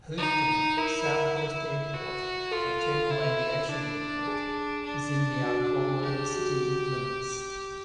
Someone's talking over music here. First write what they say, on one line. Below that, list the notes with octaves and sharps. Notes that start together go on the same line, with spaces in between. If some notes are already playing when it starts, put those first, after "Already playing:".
Houston Southwest Airport, a general aviation airport, is in the Arcola city limits.
D#4
E4 A#4
A#4
E4
F#4
F4 A4
E4
D4
G#4
D4
F#4
G#4
G4 G#4
F#4